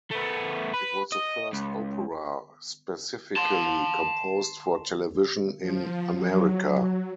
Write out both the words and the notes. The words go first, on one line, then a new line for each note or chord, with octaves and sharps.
It was the first opera specifically composed for television in America.
A3 B3
B4
D#5
C#2
A5 C6
F3
F#3